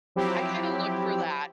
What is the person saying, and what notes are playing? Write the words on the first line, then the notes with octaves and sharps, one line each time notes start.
I kinda look for that
F3 F#3 C4 E4 G4